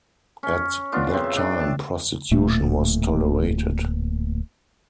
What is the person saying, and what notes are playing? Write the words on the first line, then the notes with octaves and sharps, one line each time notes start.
At that time prostitution was tolerated.
C#4
B3 D4 F4
C#3 C4
E5
D4
A5
D1 A#2 A3